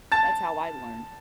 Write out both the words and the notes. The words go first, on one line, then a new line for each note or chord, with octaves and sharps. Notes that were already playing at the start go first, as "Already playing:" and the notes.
that's how I learned.
A5 A6